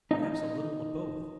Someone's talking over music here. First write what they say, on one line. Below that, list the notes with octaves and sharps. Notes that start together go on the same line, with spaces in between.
Perhaps a little of both.
D#4 D#5